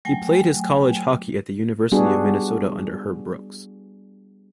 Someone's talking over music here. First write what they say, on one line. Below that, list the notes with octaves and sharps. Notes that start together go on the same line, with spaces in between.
He played his college hockey at the University of Minnesota under Herb Brooks.
F#3 A3 G5 G#5
G3 B3 D4 F#4 G#4